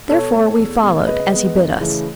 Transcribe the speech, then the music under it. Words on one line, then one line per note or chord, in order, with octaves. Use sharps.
Therefore, we followed, as he bid us.
B2 A4 C#5
A3
E2
B2 A3
C#3 B4 D#5
G#3 B3
F#2
C#3 E3 A3